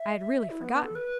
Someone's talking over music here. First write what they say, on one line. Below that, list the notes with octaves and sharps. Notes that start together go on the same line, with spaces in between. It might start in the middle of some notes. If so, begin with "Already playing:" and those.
I had really forgotten.
Already playing: E5
E4
B3
B3
A4
B4